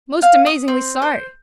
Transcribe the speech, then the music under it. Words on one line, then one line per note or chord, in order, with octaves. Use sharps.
Most amazingly sorry!
F5
D#6
C4
C5